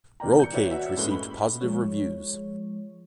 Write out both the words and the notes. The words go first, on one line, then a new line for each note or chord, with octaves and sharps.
"Rollcage" received positive reviews.
E1 E2 A#3 D5 G5 A#5
G6 C#7
F#4 B4 C#5 D5 E5
F#4 E5
F#2 A2 G#3 A#3 B4 G7
B5
F3 G#3 C#5